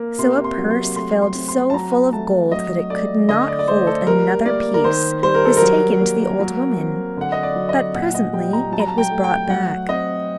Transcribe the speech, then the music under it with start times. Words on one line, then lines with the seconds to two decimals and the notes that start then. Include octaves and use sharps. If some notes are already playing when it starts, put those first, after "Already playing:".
So a purse filled so full of gold that it could not hold another piece was taken to the old woman; but presently it was brought back.
Already playing: A#3
0.19 C3 C6
0.44 C6
0.58 F#3
0.70 C6
0.96 A3 C6
1.22 C6
1.35 C4
1.48 C6
1.70 A5
1.74 F#3 A#5
2.13 A3 A5
2.52 F#3 D#5
2.90 A3 D5
3.29 D3 D#5
3.48 D5
3.59 D5
3.68 A3 C5
3.87 A4
4.07 G3 A#4
4.46 A#3 D5
4.74 A#4
4.84 D#3 C5
5.23 G3 C5
5.35 A#4
5.45 A4
5.57 F#3 A#4
6.01 A#3
6.40 F#3
6.78 C4
7.17 D3 F#5
7.32 D#5
7.43 D5
7.56 F#3
7.69 D#5
7.95 A#2 F#5
8.14 D#5
8.33 G3 G5
8.53 A#5
8.72 F#3 A5
8.80 A#5
8.87 A5
8.98 G5
9.11 A3
9.24 G5
9.50 F#3 F#5
9.89 C4 D#5